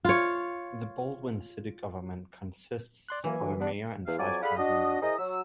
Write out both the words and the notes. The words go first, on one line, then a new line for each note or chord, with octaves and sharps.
The Baldwin City government consists of a mayor and five council members.
F4 C#5
D5 C6 F#6
E3 F#3 A#3 G#5
D3 F#3
G3 B3 D4 D5
E2 F5
F2 F#3 D5 G#5
G#4 A4 D5 F5 F#5 B5
D4 F#4 D#5
E4 G#4 A#4 C5 D#5
F#3 E6